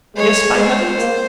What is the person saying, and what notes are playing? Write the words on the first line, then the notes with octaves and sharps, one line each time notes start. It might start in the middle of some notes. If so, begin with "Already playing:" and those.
Yes, by heavens!
G#3 C#5
G#3 C5
A#3